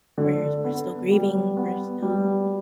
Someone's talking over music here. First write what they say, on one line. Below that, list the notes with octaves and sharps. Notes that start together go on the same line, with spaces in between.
we're s we're still grieving, we're still,
D3
B3
G3
B3
G3